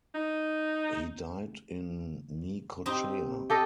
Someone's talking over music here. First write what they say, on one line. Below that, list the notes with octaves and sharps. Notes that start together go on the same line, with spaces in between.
He died in Necochea.
D#4
C4 D#4 G4
G4 A4 D#5